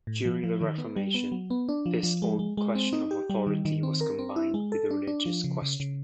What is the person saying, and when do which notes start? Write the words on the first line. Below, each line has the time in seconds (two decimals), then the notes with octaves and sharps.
During the Reformation, this old question of authority was combined with the religious question.
0.07 A2
0.25 F3
0.43 F3
0.61 D#3
0.78 B3
0.96 G3
1.15 B3
1.32 F#3
1.50 B3
1.69 D4
1.86 F3
2.03 F3
2.22 G#3
2.39 G#3
2.57 G#3
2.75 C4
2.93 D#4
3.11 G4
3.30 G3
3.47 D#3
3.65 D#3
3.83 C4
4.01 A#4
4.19 C4
4.36 E4
4.54 G#3
4.72 A4
4.91 D4
5.07 D4
5.26 F3
5.44 C#3
5.62 C#3
5.80 C#3